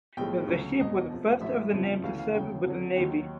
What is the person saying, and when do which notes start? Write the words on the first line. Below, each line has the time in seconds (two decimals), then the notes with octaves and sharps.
The ship was the first of the name to serve with the navy.
0.17 B1 A2 F3 G#3 G5
0.48 D2 C#3 F#3
0.79 E1 E2 B2 D#5
1.10 F2 C3 F3
1.41 A1 A2 F#3 E5
1.72 G1 F2 C#3 F3
2.04 D2 C#3 E3 F5
2.18 F5
2.35 E1 D2 C#3 G5
2.66 F2 D3 F#3
2.96 D#2 D#3 F#3 G5